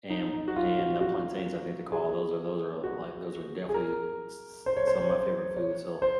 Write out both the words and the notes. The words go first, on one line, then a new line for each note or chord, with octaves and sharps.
and p and the plantains, I think they're called. Those are those are, like, those are definitely s s some of my favorite foods, so
D#4
D#4
F#4
F4
F#4
F#4
G#4
F#4
G#4
A#4
C5
C#5
C5
C#5
C5
C#5
C5